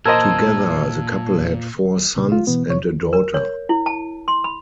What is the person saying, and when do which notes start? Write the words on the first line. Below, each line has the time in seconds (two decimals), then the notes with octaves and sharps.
Together the couple had four sons and a daughter.
0.05 A#2 A#4 C5 D#5 A5 E6 G#6
2.16 A#2 C#3
2.32 F4
2.47 B2 E3 B3
2.69 C3 C#5
3.13 A#4
3.34 C#5
3.69 E4
3.86 A5
4.28 C6
4.44 B5